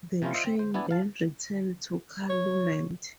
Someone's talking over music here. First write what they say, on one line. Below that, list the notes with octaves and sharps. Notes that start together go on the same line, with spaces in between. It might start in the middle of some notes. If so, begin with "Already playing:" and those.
The train then returned to Calumet.
C3 F3 A#3 C#4 E4 F4
F4 C5 D#5 E5
C4
C5
B3 D4 E4 D5 G#5
F5 A5
C#5